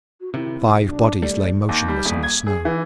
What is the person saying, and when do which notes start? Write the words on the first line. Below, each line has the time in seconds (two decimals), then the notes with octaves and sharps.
Five bodies lay motionless in the snow.
0.21 F#4
0.34 C3 D#3 E4
0.68 B1
0.85 D4
1.22 C2 G3 A3 D5
1.69 D#2
1.88 G3
2.05 D#1
2.23 G#6
2.47 G#4
2.65 E3